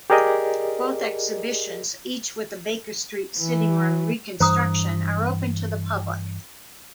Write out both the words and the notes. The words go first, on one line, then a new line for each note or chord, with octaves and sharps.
Both exhibitions, each with a Baker Street sitting-room reconstruction, are open to the public.
G4 G#4 A#4 D5 D#5
E3
G2 E3 C5 A#5 D#6